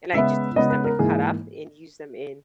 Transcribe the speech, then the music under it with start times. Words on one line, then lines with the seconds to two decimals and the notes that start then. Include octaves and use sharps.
and I just use them to cut up, and use them in
0.13 C#3 G#3 B3 E5
0.56 C#3 G#3 B3 D#5
0.70 B4
0.84 A#4
0.99 G#2 E3 A#3 G#4